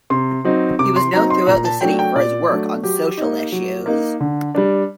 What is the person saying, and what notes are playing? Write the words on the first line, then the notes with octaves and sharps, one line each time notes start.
He was known throughout the city for his work on social issues.
C3 C6
F#3 C4 D#4
C3 D6
C6
F#3 C4 D#4 A#5
C6
A#2 A#5
A5
F#3 A3 D4 G5
G5
A#2 D5
F#3 A3 D4
F#3 G4
A#3 D#4
F#3
A#3 D#4
D3
G3 D4